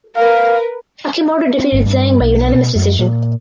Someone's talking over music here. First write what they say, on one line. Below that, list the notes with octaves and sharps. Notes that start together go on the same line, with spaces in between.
Akimoto defeated Zhang by unanimous decision.
A#4 B4 F5
C4
G1
G2
B1
B2
F#2
A#2